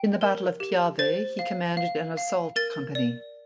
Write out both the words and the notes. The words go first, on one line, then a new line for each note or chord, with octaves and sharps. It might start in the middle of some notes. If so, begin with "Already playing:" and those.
In the battle of Piave he commanded an assault company.
Already playing: G5
A#4
G4
C5 A6
F5
F5
F5
A#4 A6
D5